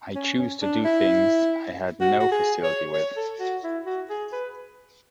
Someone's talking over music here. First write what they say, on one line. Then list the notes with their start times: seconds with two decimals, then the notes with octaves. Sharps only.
I chose to do things I had no facility with.
0.16 C#4
0.39 C#4
0.62 D4
0.85 E4
2.01 F#4
2.20 F#4
2.32 G#4
2.63 C#5
2.93 C#5
3.17 A4
3.40 F#4
3.64 E4
3.86 F#4
4.10 G#4
4.33 B4